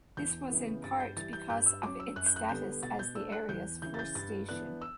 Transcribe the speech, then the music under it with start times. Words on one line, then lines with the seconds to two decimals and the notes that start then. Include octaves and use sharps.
This was in part because of its status as the area's first station.
0.17 E2 G6
0.50 C#3 E3 B3
0.84 G2 A6
1.00 G6
1.16 E3 G3 A6
1.33 G6
1.50 G2 G6
1.66 E6
1.83 F#3 C#4 D6
2.00 E6
2.16 F#2 F#6
2.26 G6
2.36 F#6
2.49 D3 G3 B3 G6
2.83 B2 A6
2.99 G6
3.15 A3 D4 E6
3.32 F#6
3.49 E2 G6
3.82 C#3 E3 G6
3.94 A6
3.99 G6
4.15 G2 A6
4.48 E3 B3 D4 F#6
4.82 E6